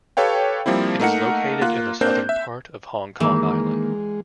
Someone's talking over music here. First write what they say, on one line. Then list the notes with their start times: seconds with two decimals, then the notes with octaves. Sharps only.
It is located in the southern part of Hong Kong Island.
0.17 G4 A4 B4 C#5 F5 G5
0.66 F3 G3 A#3 C4 E4
1.00 A3 A#3 D#4 A#4 F#5 C#7
1.61 A#3 F4 F#6
2.01 A#3 C4 D4 A#4 C5 G6
2.29 E5
3.20 D#3 E3 G#3 A#3